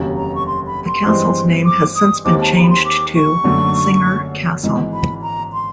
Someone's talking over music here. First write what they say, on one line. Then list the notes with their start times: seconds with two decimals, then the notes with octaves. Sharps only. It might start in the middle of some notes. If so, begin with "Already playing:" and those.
The castle's name has since been changed to "Singer Castle".
Already playing: F1 D#2 C#3 F#3
0.17 A#5
0.35 C#6
0.46 C6
0.67 B5
0.86 C6
1.06 G2 E3 G#3 C4
1.65 D6
1.95 D#6
2.25 D#2 D#3 G#3 C4 D6
2.40 A5
2.55 A#5
2.62 B5
2.70 C6
2.85 D6
3.15 C#6
3.44 F#1 F#2 D3 F#3 A3
4.63 G#1 G#2 E3 G#3
4.93 B5
5.22 A#5
5.53 C6